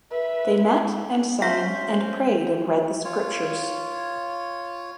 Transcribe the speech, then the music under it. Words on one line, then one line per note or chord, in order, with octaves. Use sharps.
They met, and sang, and prayed and read the Scriptures.
B4 E5
C#4 C5 E5 B6
C5
F4 C#5